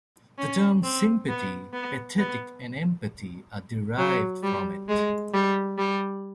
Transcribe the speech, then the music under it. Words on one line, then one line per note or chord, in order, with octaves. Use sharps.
The terms "sympathy", "pathetic", and "empathy" are derived from it.
C#4
C4
B3
B3
B3
F#3
G3
G#3
G3
G3